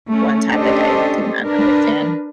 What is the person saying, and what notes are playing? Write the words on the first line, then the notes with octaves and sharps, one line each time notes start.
one topic I do not understand.
A3 C#4
C#4 D4 G4 A4 C5 D#5
D4 A#4 B4